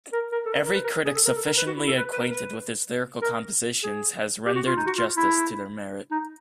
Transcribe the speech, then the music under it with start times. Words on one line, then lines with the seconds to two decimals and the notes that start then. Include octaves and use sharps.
Every critic sufficiently acquainted with his lyrical compositions has rendered justice to their merit.
0.13 A#4
0.32 A#4
0.46 A4
0.53 A#4
0.65 A#4
0.73 B4
0.84 A#4
1.05 G#4
1.15 A4
1.25 A#4
1.36 A4
1.46 A#4
1.57 B4
1.67 F#4
1.77 E4
1.87 A4
1.97 B4
2.13 B4
2.18 A#4
2.29 B4
3.22 A#4
3.83 G#4
4.46 G4
4.56 F#4
4.67 F4
4.77 D#4
4.86 F#4
4.98 F4
5.17 E4
6.11 D#4